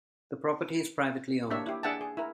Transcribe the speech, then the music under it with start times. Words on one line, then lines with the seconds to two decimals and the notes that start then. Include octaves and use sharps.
The property is privately owned.
1.50 A#3 D4 G4 C#5 E5
1.66 E4 G4
1.83 D4 G#4 E5 F#5 G5 A5
2.01 G#4
2.17 E4 A#4